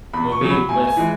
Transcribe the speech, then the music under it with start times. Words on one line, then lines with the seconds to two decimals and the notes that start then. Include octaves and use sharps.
movie with,
0.13 E2 B5
0.32 C#6
0.41 C#3 F#3
0.50 B5
0.69 A2 G#5
0.87 G#5
0.97 E3 G#3